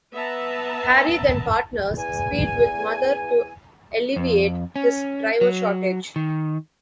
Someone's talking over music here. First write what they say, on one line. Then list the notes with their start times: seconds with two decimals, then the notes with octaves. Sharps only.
Harry then partners Speed with Mother to alleviate his driver shortage.
0.13 B3 B4 E5 A5 A#5
1.97 E2 G#5
4.16 F2
4.76 C#4
5.41 F#3
6.16 D#3